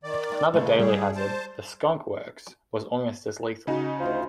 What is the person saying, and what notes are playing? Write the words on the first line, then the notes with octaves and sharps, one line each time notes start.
Another daily hazard, the Skonk Works, was almost as lethal.
D#3 D5
C#3 E3 G#3 A3
G3 G#4 G5
C5 A5
C#3 D#4 F#4
D2 F4 C5